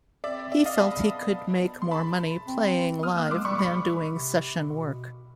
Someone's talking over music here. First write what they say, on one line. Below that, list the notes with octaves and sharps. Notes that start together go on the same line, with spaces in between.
He felt he could make more money playing live than doing session work.
C4 D5 E5
D5 E5
D#5 F5
B3 A5 B5
C6
A5 B5
C4
B3 D#6 F6
A#3 E6 F#6
G#3 C6 D6
G3 B5 C#6
D6
B5 C#6
C3
B2